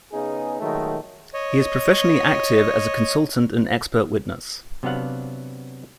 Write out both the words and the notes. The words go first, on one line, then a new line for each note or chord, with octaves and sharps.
He is professionally active as a consultant and expert witness.
C#3 B3 D#4 G#4
A#2 D#3 F#3 G#3 A3
C#5 D#5
C3 F#3 B3 D4 F5 F#5